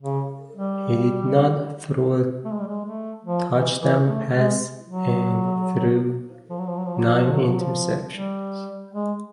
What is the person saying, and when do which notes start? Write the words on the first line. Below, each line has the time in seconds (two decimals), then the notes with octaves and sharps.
He did not throw a touchdown pass and threw nine interceptions.
0.02 C#3
0.55 G3
2.44 A3
2.52 G#3
2.59 G3
2.67 G#3
2.85 A3
3.25 F3
3.53 E3
3.79 E3
4.06 A3
4.33 G#3
4.87 F#3
6.50 F3
6.58 F#3
6.68 F3
6.77 F#3
6.86 F3
6.95 F#3
7.05 F3
7.13 F#3
7.22 F3
7.32 F#3
7.41 F3
7.50 F#3
7.59 F3
8.11 G3
8.93 G#3